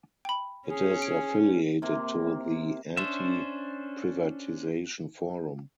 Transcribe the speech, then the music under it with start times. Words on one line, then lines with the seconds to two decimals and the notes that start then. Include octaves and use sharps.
It is affiliated to the Anti-Privatisation Forum.
0.25 G5 B5
0.68 C#4 G#4
1.02 D7
1.82 C3 A#3 C4
2.97 C#4 D4 C5 E5